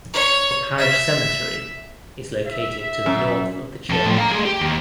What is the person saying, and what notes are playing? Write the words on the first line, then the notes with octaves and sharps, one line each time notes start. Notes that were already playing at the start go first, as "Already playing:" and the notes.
The parish cemetery is located to the north of the church.
C#5
E5
E5
F#2
F2 A4
A2 F3
F5 A#5
A3 G#4
G4
D#2